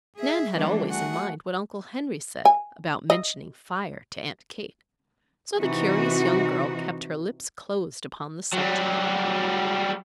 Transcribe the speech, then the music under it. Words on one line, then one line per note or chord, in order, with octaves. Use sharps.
Nan had always in mind what Uncle Henry said about mentioning fire to Aunt Kate; so the curious young girl kept her lips closed upon the subject.
G#4 E5
E3 G3 G#3 B3 D4
A3 F#4 G#4 F#5
G#5
D#5
C3 E3 D#4 F#4
F#3 G3